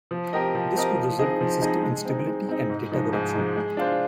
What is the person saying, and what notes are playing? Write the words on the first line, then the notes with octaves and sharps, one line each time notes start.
This could result in system instability and data corruption.
F3
C4 G4 A#4 D#5
F3
C4 G4 A#4 D#5
F3
C4 D#4 G#4 D#5
F3
C4 D#4 G#4 D#5
G#3
C4 D#4
G#3
C4 D#4
G#2
F3 G#3 D#4
G#2
F3 G#3 D#4
G#3
D4 F4 C5